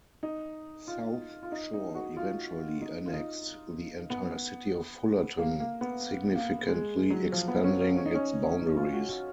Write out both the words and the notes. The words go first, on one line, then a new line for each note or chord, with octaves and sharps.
South Shore eventually annexed the entire city of Fullerton, significantly expanding its boundaries.
D#4
F4
F4
D#4
D#4
F#4
F4
D#4
F4
D#4
B3
A#3
A#3
B3
A#3
G#3
F#3
F3
B3
C#4
C#4
C#4
D#4
C#4
D#4
F4
F#4
F#4